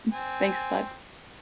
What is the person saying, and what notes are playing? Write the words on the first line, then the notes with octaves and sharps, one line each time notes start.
Mm, thanks, bud.
C4 G#5